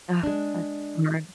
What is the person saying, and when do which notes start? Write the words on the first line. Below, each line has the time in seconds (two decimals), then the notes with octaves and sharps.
Ah, that's hard.
0.23 G#3 D4